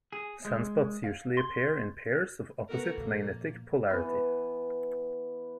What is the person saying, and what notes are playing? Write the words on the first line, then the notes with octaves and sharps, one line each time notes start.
Sunspots usually appear in pairs of opposite magnetic polarity.
G#4
G#3
F5
C6
B3 F#4 A4 A#4
A#2 F3 A#3
E3 B3